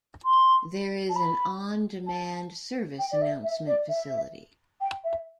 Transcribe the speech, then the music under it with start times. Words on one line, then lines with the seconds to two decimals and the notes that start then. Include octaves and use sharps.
There is an on-demand service announcement facility.
0.25 C6
1.09 A5
1.16 B5
2.07 A5
2.99 G5
3.11 D5
3.21 E5
3.43 E5
3.67 D5
3.89 E5
4.81 G5
5.04 E5